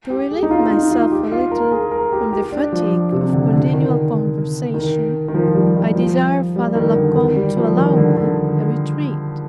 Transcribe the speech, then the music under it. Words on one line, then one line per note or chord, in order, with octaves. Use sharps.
To relieve myself a little from the fatigue of continual conversation, I desired Father La Combe to allow me a retreat.
G4
G#4
D#4
F4
D#4
F4
G4
F4
A#4
G#4
A#4
G4
G4
D4
F3
C3
D3
D3
D#3
D#3
D#3
F3
F3
G3
D#3
F3
G3
D#3
D3
D#3
G3
F3
D#3
D3
D3